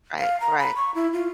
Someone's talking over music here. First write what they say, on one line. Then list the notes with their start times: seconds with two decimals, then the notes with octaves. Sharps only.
Right, right.
0.19 F5
0.40 A#5
0.58 B5
0.76 C#6
0.95 E4
1.13 F4